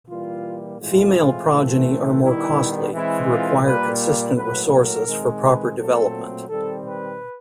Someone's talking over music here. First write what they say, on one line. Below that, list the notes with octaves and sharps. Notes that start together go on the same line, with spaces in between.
Female progeny are more costly and require consistent resources for proper development.
E3 G3 A#3 F4
A2 E3 G#3 C4 F4
E3 A3 C4
D#3 G3 B3 E4
E3 G#3 C4 E4
F4
A#2 G3 A#3 B4
A2 F#3 A#3 B4
A#4
D#3 G#3 C4
B4
A#2 F#3 A3 C4 A4
D#3 G3 C4 A4
B4